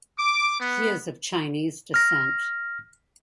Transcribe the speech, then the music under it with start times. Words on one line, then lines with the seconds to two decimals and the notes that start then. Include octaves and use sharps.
He is of Chinese descent.
0.17 D6
0.59 B3
1.94 F6 A#6